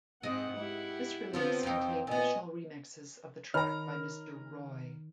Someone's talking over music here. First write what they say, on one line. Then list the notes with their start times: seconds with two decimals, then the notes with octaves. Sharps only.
This release contained additional remixes of the track by Mr. Roy.
0.23 G#2 G#3 C4 D#5 F#5
0.57 E4 G4
1.33 D3 F3 B3 C4
1.63 F2 D#4 G5
2.07 A#2 B3 D#5 G#5
3.54 D#3 C#5 A#5 B5 F6